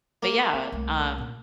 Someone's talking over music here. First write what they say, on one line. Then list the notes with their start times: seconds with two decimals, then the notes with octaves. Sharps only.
But yeah, um
0.23 A#3
0.54 C4
0.72 C2 A3
1.18 A#2